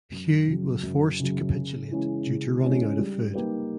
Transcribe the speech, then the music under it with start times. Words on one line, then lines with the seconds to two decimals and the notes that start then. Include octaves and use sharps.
Hugh was forced to capitulate due to running out of food.
0.12 F#2
0.47 C#3 F#3
0.83 F#2
1.20 C#3 F#3
1.55 C#3
1.91 E3 G#3 C#4
2.27 C#3
2.62 E3 G#3 C#4
2.99 G3
3.33 A#3 D#4 G4 B4